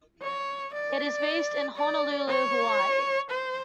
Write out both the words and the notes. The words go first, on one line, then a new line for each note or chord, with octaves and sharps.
It is based in Honolulu, Hawaii.
C#5
D5
D5
C#5
C5